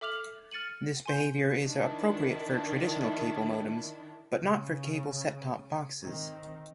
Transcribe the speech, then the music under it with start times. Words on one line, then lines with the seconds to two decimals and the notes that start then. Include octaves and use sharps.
This behavior is appropriate for traditional cable modems, but not for cable set-top boxes.
0.01 A4 E5 D6 F6 F7 F#7
0.51 F6 A6 C#7 D#7 F#7
1.06 G#5 C6 G6
1.61 D#3 D4 E4
4.42 C#3
6.03 D#3 C4